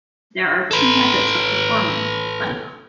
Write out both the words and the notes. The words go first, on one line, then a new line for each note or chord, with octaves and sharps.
There are two methods of performing a bunnyhop.
A4 B4